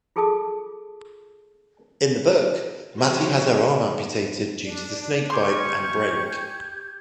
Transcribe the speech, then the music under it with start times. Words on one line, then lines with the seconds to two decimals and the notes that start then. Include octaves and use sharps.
In the book, Mattie has her arm amputated due to the snakebite and break.
0.16 F4 G#4 A4 A5 D6 D#6
2.98 F3 C#4 E4 F#4 G#4 C5 C#5 G5
4.63 D4 D5
5.30 C#4 G4 D5 C6 C#6 G6 G#6